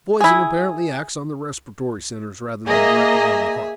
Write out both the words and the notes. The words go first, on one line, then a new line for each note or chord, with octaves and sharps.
The poison apparently acts on the respiratory centres rather than directly on the heart.
E4 G#4
A#3 G#4 D#5 E5 A#5